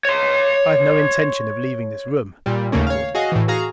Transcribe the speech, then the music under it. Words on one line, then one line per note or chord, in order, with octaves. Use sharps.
"I have no intention of leaving this room," I retorted.
C#5 C6
A#2 G3
D#2 C#3 A3 A#3 C#4
C#5 F5
F#4 G#4 D#5 F5
A2 E3
F#4 G#4 F5 A#5